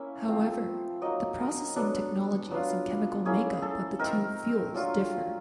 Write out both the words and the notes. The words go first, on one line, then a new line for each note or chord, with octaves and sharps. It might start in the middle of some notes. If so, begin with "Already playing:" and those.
However the processing technologies and chemical makeup of the two fuels differ.
Already playing: A#3 C#4 E4
F3 A3 C4
F#3 A#3 D#4 D#5
A#4
F#3 B3 D4 A4
F#3 B3 D4 F4
A#3 C#4 E4 G#4
A4
A3 C4 D#4 A#4
F#3 A3 D4 F4